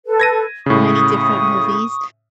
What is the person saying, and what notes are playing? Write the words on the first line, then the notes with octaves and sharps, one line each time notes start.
so many different movies,
A4 B4
G#6 A#6 D#7
A2 C#3 C#6 D#6